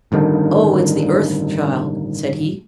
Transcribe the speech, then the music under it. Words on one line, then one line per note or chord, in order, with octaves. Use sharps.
"Oh, it's the Earth Child," said he.
A1 G2 D3 D#3